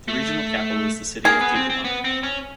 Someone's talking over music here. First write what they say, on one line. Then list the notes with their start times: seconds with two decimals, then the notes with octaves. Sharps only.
The regional capital is the city of Kigoma.
0.08 A3
1.25 A#3 G#4
1.41 B3
1.55 C4
1.70 C4
1.85 B3
2.04 C4
2.23 C#4